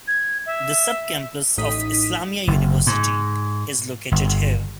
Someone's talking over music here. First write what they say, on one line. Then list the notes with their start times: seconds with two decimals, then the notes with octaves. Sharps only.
The sub-campus of Islamia University is located here.
0.08 G#6
0.46 E5
1.57 A1 A2 D#4 D#6 B6
2.47 F#1
2.87 G#2
4.12 G1